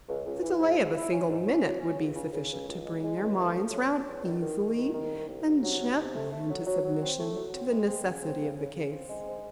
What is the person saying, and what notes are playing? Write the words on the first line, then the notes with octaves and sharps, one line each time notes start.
The delay of a single minute would be sufficient to bring their minds round easily and gently into submission to the necessity of the case.
C#2
C#2
E3
G#2
G#2
E4
C#4
G#2
C#4
F#3
C#4
C#2
C#3
C#3
C#2
C#2
G#3
G#3
C#2
A3
C#4
C#4
C#4
E2
D#3
D#3
D#3
C2
D#3
C2
C2
C2
F#3
C3
C3
A3
A3
F#3
F#3
F#3
C4
A3
F#3
C4
G#3
C4
C#3
C4
C#3
C#3
C#3
C4
G#3
G#2